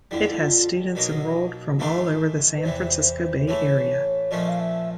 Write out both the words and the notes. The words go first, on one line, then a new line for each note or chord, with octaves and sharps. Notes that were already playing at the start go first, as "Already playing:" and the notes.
It has students enrolled from all over the San Francisco Bay area.
F2 D3 G3 E4
E4
F4
B2 F#3 A#3 D#4
G#2 E3 A3 D4 F4
B4
E2 C3 E3 C5
A2 E3 A3 C#5
A#2 F3 A3 C#4 D#5
F5
E5